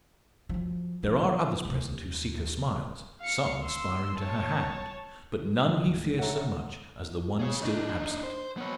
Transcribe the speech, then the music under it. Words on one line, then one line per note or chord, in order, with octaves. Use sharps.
There are others present who seek her smiles--some aspiring to her hand--but none he fears so much as the one still absent.
F#2 F3
F3
D#2 C3
F5 C#7
C6 E6
C#5 A5
D2 G#2
A4 C#5 E5 F#5 A#5
G#4 C#5
D4 D#4
C5
B3 C#5